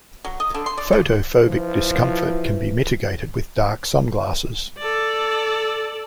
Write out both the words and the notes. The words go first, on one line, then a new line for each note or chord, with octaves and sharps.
Photophobic discomfort can be mitigated with dark sunglasses.
F#3
D#5
D3
C6
D5
F4
E3 F3
A4 D5